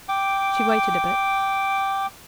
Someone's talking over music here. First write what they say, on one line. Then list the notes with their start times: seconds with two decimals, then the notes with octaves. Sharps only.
'She waited a bit.
0.09 G5 D6